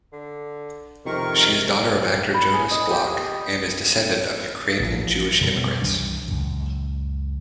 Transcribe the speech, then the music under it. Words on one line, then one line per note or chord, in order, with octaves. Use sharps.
She is daughter of actor Jonas Bloch, and is descendant of Ukrainian Jewish immigrants.
D3
F2 C3 D#3 A#4 C#6
B5
G#4
D#5
G4
A1 F3
F#2 B2 G3 A3
C2 E3 G3 D4
C#2 F#2 A#2